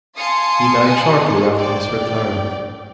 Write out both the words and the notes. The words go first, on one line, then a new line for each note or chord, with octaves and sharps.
He died shortly after his return.
F5 G#5 A5 C6 D#6 C#7
D5 G5